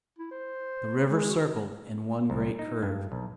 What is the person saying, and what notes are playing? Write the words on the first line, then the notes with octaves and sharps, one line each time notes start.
The river circled in one great curve.
E4
C5
G#3
F#4
C2
D#4
G2
B1